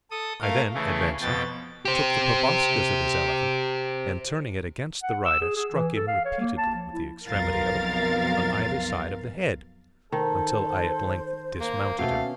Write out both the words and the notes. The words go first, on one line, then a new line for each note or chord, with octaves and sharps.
I then, advancing, took the proboscis of his elephant, and turning it against the rider, struck him repeatedly with the extremity of it on either side of the head, until I at length dismounted him.
A4 D#6
A3 A#4 F5
C#3 E3 A3
F2 B2 G5 A6
G4 C5
F#5
E6
G#4
G#4
E3
A4
F5
C#5
A#3
A5
F3
E4
B1 F2 B2 A#4 F5 A6
D#3 A4 C5
A#3
B2 A3 C#4 F5